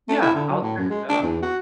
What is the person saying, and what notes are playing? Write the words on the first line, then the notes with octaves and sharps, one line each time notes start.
Yeah. I'll check that out.
A3
E4
D3
F#3
A2
F#2
G#3
D4
E2
F#4